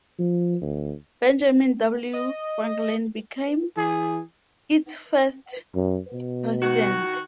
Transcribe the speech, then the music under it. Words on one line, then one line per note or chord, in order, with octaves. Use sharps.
Benjamin W. Franklin became its first president.
F3
D2
D#5
E3 G#4
F#2
B2
D#3 F#4